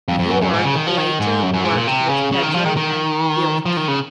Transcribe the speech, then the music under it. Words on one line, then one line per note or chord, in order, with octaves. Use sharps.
Jorge later worked with Pedro at Elche.
F2
F2
F#2
F#2
G#2
C#3
D#3
F3
D#3
G#2
F#2
F#2
G#2
A#2
C3
C#3
C#3
D#3
F3
D#3
D#3
F3
D#3
C#3